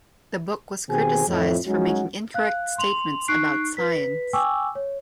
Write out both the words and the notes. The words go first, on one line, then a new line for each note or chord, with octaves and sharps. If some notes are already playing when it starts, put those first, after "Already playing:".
The book was criticized for making incorrect statements about science.
B2 D#3 C4 G4 G#4 G#5
F2 A2
F#3 G#3 C#4 D#4 F#4
F5 F#6
C6 F7 F#7
D#4 C#6 F#6 C7 D7
B4 B6
G5 G#5 C#6 D6 E6
C#5